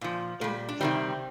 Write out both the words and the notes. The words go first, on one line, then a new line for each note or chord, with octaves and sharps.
and that
A#2 F3
A#2 G3
D4
C3 D#3 G3 C4